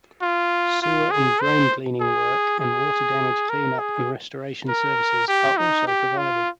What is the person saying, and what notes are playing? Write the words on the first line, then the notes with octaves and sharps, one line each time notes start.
Sewer and drain-cleaning work and water damage cleanup and restoration services are also provided.
F4
F4
G#4
C5
G#4
G#4
A#4
G#4
A#4
G4
D#4
G4
F4